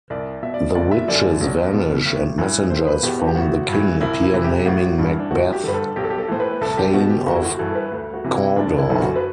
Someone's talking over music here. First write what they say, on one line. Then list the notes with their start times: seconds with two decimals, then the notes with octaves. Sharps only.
The witches vanish, and messengers from the king appear naming Macbeth Thane of Cawdor.
0.10 C2 D5
0.43 B2 E5
0.54 D5
0.75 F#1 D5
0.91 E5
1.08 F#2 D3 D5
1.40 B1
1.73 B2
2.06 A1
2.38 G2 E3
2.70 E1 C5
2.87 B4
3.03 E2 B2 G4
3.20 F#4
3.27 G4
3.35 A1 F#4
3.68 G2 E3
4.01 C2 E4
4.23 E4
4.34 C3 E3
4.44 G4
4.66 A1 F#4
4.98 G2 E3 D4
5.19 D4
5.31 A1 F#4
5.53 G4
5.64 G2 D3 B4
5.74 A4
5.96 B1 G4
6.04 A4
6.10 G4
6.18 A4
6.28 A2 E3 C5
6.40 B4
6.61 C2 A4
6.78 G4
6.94 B2 F#4
7.10 G4
7.26 G1 F#4
7.35 E4
7.43 F#4
7.59 G2 E3 A4
7.71 A4
7.75 B4
7.92 D2
8.14 F#4
8.24 C3 E3
8.36 E4
8.56 F#1 D4
8.78 E4
8.90 F#2 D3
9.00 F#4
9.16 B4